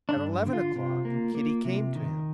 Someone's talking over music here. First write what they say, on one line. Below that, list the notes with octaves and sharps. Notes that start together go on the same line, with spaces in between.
At eleven o'clock Kitty came to him.
D4
G2
D3
F4
C3
A#3
A#3
C3
D#3